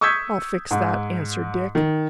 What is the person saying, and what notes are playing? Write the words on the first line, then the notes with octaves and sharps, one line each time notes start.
"I'll fix that," answered Dick.
C#6 D#6 E6 G6 G#6 B6
G#2
D#3